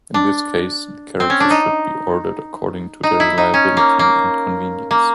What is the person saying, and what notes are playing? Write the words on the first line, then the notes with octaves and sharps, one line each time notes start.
In this case, the characters should be ordered according to their reliability and convenience.
D4
C4
C#4
D4
D#4
D#4
E4
D#4
C#4
A#3
A#3
A#3